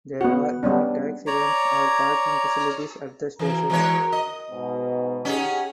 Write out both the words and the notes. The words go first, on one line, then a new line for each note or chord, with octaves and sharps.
There are no taxi ranks or parking facilities at the station.
B3 F#4
G3 B3 C#4 D4
C#5 D5 A#5
E3 F#4 A#4 A#5
E3 G#3 C#5
D#5
G#2 B2
C#4 D#4 G4 G#4 F#5 G#5